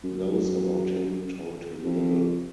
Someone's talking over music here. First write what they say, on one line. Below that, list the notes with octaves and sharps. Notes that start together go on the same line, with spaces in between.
Those about him told him little.
F#2
F2